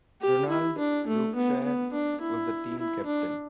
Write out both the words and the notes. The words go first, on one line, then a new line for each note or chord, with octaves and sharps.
Ronald Brookshire was the team captain.
G4
E4
D4
A3
B3
B3
D4
E4
E4
D4